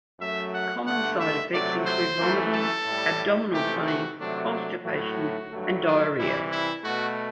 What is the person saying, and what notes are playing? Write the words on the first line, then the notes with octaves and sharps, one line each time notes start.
Common side effects include vomiting, abdominal pain, constipation, and diarrhea.
F#2 F#3 A3 E5
F#5
G2 D3 A3 F#5
E5
C3 F#3 A3 D5
C5
F#2 E3 A3
A4
A2 G3
C3 E3 A3 G4
F#4
C3 F#3 A3 D4
D4
A2 F#3 A3 F#4
G2 F#3 A3
D4
C3 E3 G3 E4
E4
B2 A3 F#4